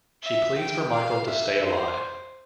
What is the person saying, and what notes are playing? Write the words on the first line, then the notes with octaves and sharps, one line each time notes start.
She pleads for Michael to stay alive.
E5
G5
F5
E5
C5